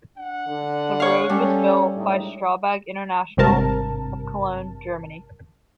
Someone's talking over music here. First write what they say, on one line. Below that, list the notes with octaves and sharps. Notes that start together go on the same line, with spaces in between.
The road was built by Strabag International of Cologne, Germany.
D4 F#5
D3
C#5 F5
G3 C#4 A4
A2 G#3 D4 D#4
G#1 G2 C3 A#4 A5